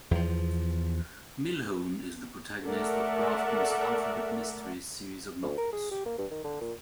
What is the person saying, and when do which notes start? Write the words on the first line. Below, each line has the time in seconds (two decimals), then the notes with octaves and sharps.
Millhone is the protagonist of Grafton's "alphabet mysteries" series of novels.
0.11 E2 F3
2.64 A3 A4 A#4 D5 E5 F#5
5.43 D2
5.58 A#4
5.72 G#4
5.91 G4
6.06 A#3
6.18 G2
6.31 D#3
6.44 D3
6.61 A#2